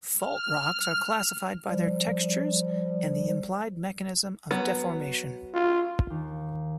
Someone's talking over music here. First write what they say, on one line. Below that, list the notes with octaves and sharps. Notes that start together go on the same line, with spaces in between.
Fault rocks are classified by their textures and the implied mechanism of deformation.
F6
F3 G3
F#3 B3
F4
D#2